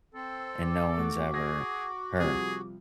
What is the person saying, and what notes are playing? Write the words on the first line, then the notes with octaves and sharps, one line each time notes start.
and no one's ever her,
C4 A4
D6
A3 F#4
G#4 A#6
C3 F3 G3 G#4